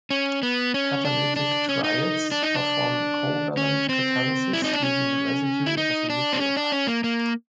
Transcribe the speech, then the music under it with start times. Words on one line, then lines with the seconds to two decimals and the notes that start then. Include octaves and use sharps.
Catalytic triads perform covalent catalysis using a residue as a nucleophile.
0.10 C#4
0.43 B3
0.74 C#4
1.05 D4
1.36 D4
1.69 C#4
1.84 D#4
2.32 D4
2.43 D#4
2.55 D4
3.57 C#4
3.89 C4
4.53 E4
4.64 D#4
4.73 D4
4.83 C#4
5.66 E4
5.77 D#4
6.10 D4
6.33 C4
6.40 C#4
6.57 D4
6.72 C#4
6.87 A#3
7.04 A#3